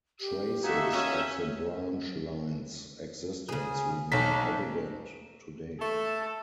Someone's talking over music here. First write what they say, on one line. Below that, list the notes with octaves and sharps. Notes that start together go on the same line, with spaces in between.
Traces of the branch line's existence remain evident today.
G4
A#3 D#4 F#4 A4 E5 G#5
C#4 C#5 E5
C#3 G#4
B1 D#4 A4 B6
A3 A4